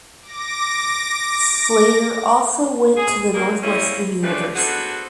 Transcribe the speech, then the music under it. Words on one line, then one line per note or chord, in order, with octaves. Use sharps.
Slater also went to the Northwestern University.
D6 A#6
G#4
G2 A#2 C#3 A#3
G3 A#3 C4 C#4 E4
C#3 F3 G3 A3 D4 B4
B3 D4 F#4 G#4 A4 C5